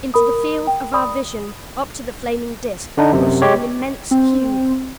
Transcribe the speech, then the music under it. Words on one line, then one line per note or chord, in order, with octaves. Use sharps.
Into the field of our vision, up to the flaming Disk rushed an immense cube.
A#4 B5 D#6
G5
D5 B5 D#6
D3 D4 D#4
F#2 C3
G#3 G4 C#5
C4